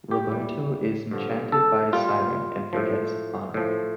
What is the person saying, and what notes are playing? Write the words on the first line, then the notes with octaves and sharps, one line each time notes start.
Roberto is enchanted by a siren, and forgets Anna.
G4
E2 E3 G3
G2 D3 F3
A4
A#2 G3 F4
A2 F3
A2 F3